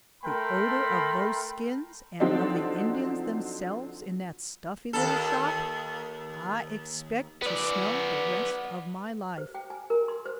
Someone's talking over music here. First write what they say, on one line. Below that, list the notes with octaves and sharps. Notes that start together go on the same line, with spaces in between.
The odor of those skins, and of the Indians themselves, in that stuffy little shop, I expect to smell the rest of my life!
A3 A4 A#4 G5 B5 C6
D3 F3 F#3 C4 D4 D#4
D#2 A4
B3 D5
C5
G5
G#5
A#4
C6
C5